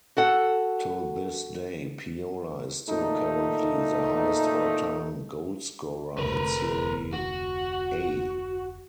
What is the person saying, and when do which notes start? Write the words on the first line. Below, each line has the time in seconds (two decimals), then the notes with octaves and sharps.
To this day, Piola is still currently the highest all-time goalscorer in Serie A.
0.17 F#4 A4 F#5
2.89 A#2 A3 D#4
6.18 F1 D2 A#4 B4
7.14 F#4